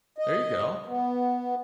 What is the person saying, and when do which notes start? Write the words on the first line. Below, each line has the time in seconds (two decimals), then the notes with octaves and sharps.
There you go.
0.18 D#5
0.86 B3